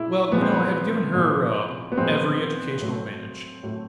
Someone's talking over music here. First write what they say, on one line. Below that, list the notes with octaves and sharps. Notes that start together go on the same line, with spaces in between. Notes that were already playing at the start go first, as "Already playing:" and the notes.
Well, you know I have given her--ah--every educational advantage.
Already playing: A#2 G#3 E4
A#2 F3 G#3 B3
C4
B3
A#2 F3 G#3
B3
A#2 F3 G#3 C4
A2 F#3 A3
A2 F#3 A3